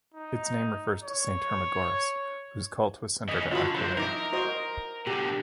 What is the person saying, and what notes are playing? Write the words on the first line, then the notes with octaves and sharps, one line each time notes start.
Its name refers to Saint Hermagoras, whose cult was centered at Aquileia.
D#4
C#5
E3 C#4 D#5
D3 F4 F#4 B5
F#3 C4
D#4 E4 A#4 D6
F#4 C5 D#5
B2 D3 G4